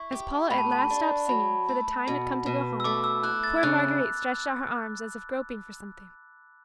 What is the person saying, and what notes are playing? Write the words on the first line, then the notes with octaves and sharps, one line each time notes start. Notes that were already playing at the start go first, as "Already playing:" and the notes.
As Paula at last stopped singing, for the time had come to go home, poor Marguerite stretched out her arms as if groping for something.
Already playing: E4 C#6
G4
A2 B5
A5
A5
D4
F#3 B5
A3
B2
B2
E6
A3 D6
E6
E4 F#6
A6
C#3 F#6